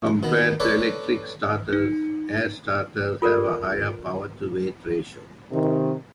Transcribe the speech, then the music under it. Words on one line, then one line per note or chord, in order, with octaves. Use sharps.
Compared to electric starters, air-starters have a higher power-to-weight ratio.
B2 D#3 B3
A4 B4 C#5 D5
D#4
F4 A4 A#4 D5
C3 D#3